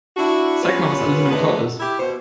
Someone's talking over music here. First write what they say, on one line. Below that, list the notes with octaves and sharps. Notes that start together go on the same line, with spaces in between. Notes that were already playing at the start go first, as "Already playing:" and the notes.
Zeig mal, was alles in dem Korb ist.
D4 E4 F#4
G3 B3 C#4 F4 B4
A3 B3 D4 D#4 G#4 B4
E4 G4 E5
B2 C5